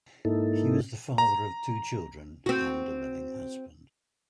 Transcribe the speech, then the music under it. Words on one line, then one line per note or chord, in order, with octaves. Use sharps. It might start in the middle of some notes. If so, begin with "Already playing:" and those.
He was the father of two children and a loving husband.
G#2 A#3 D#4 E4 A4
A#5
C4 F#4